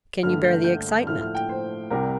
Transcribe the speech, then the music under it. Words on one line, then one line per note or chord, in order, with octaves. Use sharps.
"Can you bear the excitement?"
G2 D3 A3 F6
G6
G6
A2 F3 A3 F6
F6
G5
C5
C2 C3 G3 A#4